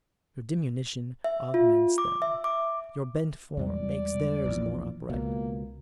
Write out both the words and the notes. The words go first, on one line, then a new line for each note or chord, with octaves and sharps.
Your diminution augments them. Your bent form makes theirs more upright.
E5
F4
D6
E5
D6
E2 G#2 G3 D5
A#1 E2
C#2 B2 A#3